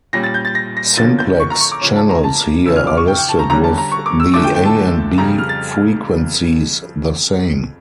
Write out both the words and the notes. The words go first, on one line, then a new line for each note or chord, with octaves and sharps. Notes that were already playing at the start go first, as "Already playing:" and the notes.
Simplex channels here are listed with the A and B frequencies the same.
A#2 G3 C#4 A#6
A6
G6
A6
A#6
A#6
D3 F3 A#3 C#4 A6
G6
C#6
A#5
C#6
D6
C#3 F3 C#4 C#6
A5
A#5
A5
C#3 F3 C#4 E6
F6
D6
C#6
G5
G5
A5
A#5
D3 G3 C#4 A#5
A5
A#5
C#6
D6
E6
E2 D3 F3 A3 D4 D6
G5
G5
A5
F2 C#3 G3 A#5
F6
A6